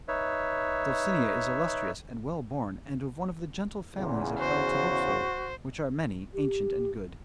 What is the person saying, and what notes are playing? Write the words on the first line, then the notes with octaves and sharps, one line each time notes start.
Dulcinea is illustrious and well-born, and of one of the gentle families of El Toboso, which are many, ancient, and good.
D#4 B4 C#5 E5
E2 A#2 C#3
F#4 C5
G4